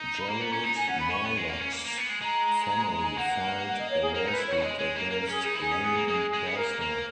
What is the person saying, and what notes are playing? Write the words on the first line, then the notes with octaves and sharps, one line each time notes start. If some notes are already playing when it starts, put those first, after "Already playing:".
Gerald Morelock's family filed a lawsuit against Lane and Chrysler.
Already playing: D#4
B5
A#3 A#5
B3
C#4
D#4
D#4 G#5
C#4 F#5
B3 B5
C#4 C#6
B3
G#3
A#3
C#4
A#3
A#3
B3
G#3
G#3 A#5
G#5
A#3 F#5
F#5
D#5
C#5
G#4
A#3 A#4
D#4 B4
E4
F#4 C#5
G#3 D#5
G#3 C#5
A#3
A#3 A#4
A#4
C#4 G#4
D#4 G#4
E4
D#4 G#4
C#4
B3
A#3
A#3
G#3
G#3
B3 G#4
A#3 A#4
A#3